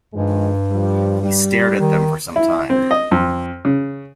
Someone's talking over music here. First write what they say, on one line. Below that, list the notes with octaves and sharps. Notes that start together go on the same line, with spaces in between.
He stared at them for some time.
G2 D#3 F3 G#3
F3 G3
G3
D#3
E4
C4
D#5
F2
C#3